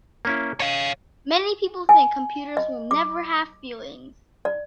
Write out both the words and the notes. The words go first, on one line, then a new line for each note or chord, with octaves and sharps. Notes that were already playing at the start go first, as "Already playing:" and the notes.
Many people think computers will never have feelings.
A#3 C#4 E4
C#5 D#5 F5
G#5
D#5
D6
D5